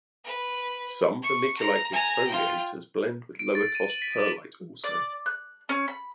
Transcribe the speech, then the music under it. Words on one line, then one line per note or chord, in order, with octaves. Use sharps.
Some vermiculite exfoliators blend with lower cost perlite also.
B4
C#6
A#5
G#5 A#5
F4 G5
D7
A6
D#7
F#7
B6
D6
D5
F#6
C#4
B5